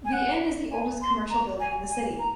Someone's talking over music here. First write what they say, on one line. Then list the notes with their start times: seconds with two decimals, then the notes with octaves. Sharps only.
The Inn is the oldest commercial building in the city.
0.05 G#5
0.13 F#5
0.71 G#5
1.02 C6
1.30 A#5
1.60 G#5
1.90 G#5
2.19 A#5